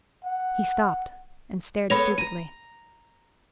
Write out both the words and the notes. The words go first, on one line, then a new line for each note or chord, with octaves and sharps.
He stopped and stared stupidly.
F#5
B3 A4 C#5 B5 A#6 F7
A#5 D#7